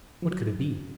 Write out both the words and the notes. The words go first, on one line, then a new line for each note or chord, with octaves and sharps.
What could it be?
F3
F#3